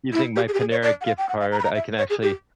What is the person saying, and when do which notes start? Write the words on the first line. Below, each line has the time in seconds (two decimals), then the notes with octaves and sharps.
using my Panera gift card, I can actually
0.13 E4
0.36 G4
0.48 G#4
0.54 G4
0.60 G#4
0.71 C#5
0.83 D5
1.01 F#5
1.05 F5
1.18 G5
1.29 F#5
1.41 F5
1.52 A#5
1.59 B5
1.64 A#5
1.75 E5
1.98 C#5
2.10 G#4
2.22 G4